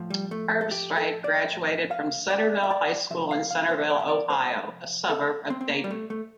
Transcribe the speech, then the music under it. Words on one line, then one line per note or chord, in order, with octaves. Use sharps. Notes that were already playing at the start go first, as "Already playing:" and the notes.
Herbstreit graduated from Centerville High School in Centerville, Ohio, a suburb of Dayton.
Already playing: A2 F3
G3
A3
A4
G4
A4
D5
F5
D5
E5
D5
C3 F3 E5
F5
F5
C5
D5
E5
D5
C5
A4
C4
C4
A#3
G3
A3
A3